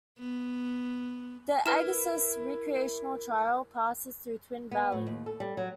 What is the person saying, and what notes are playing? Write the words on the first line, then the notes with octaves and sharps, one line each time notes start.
The Agassiz Recreational Trail passes through Twin Valley.
B3
E4 A#4 B4 F6 E7
B3
A2
D#2
A4
G3
F#3